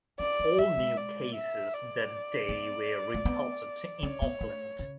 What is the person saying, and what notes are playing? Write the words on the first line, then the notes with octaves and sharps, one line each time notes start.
All new cases that day were reported in Auckland.
C#4 D5
B3
F#3 E5
G#3
D5
E5
D5
B3
A3
B3
C#4 C#5
B3
A3
C#3